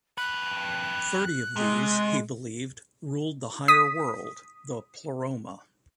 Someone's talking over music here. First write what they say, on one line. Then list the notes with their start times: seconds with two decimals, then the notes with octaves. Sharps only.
Thirty of these, he believed, ruled the higher world, the "pleroma".
0.18 F2 B4 F#6
1.56 C3 G#3
3.68 D#6 B6